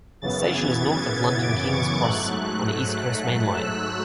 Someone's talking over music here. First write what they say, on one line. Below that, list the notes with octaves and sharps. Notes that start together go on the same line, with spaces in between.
The station is north of London King's Cross on the East Coast Main Line.
F#2 C#3 E3 B3 A6
G#6
A6
D6
C#6
G#2 F#3 A3 F#6
F#6
F#6
E6